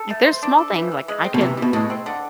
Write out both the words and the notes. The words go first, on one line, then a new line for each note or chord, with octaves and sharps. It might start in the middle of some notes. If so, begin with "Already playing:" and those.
like, there's small things, like, I could
Already playing: A4
A3
C5
D4
A4
E3
E3
G#3
C4
B2
C3 E3
B2 E3
A2 G#3
C4
D3